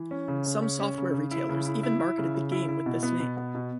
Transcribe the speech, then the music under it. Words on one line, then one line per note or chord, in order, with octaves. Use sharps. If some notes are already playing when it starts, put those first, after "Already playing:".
Some software retailers even marketed the game with this name.
Already playing: E3
C#4
C#3
C#3
C#4
C#4
C#3
C#3
E4
C#3
E4
E4
E4
C#3
C#3
E4
E4
B2
B3
B2
B3
B2